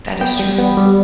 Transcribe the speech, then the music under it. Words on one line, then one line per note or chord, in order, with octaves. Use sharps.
That is true.
B3 G5
G3
B3
G3